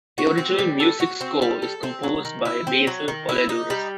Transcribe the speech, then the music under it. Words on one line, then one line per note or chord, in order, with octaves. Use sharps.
The original music score is composed by Basil Poledouris.
F#4
C4
G3
A4
F#4
C4
G3
A4
C4
F#3
D#3
E4
C4
F#3
D#3
E4
D#4
G3